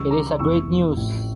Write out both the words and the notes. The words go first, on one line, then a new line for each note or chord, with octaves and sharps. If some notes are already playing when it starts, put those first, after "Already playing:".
It is a great news.
Already playing: C#2 C#3 E3 G3 C#6 E6
A#5 D6
F1 E2 E3 C#6 E6
A1 A2 F3